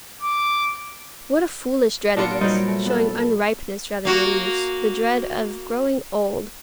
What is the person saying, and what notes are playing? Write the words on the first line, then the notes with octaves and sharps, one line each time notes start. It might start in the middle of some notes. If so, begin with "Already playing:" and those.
What a foolish dread it is,--showing unripeness rather than youth,--the dread of growing old!
D6
A#2 B3 D4 F4 A#6 C#7 D7
F#3 G3 D#4 C5
A3
B3 A4
A#3 F#4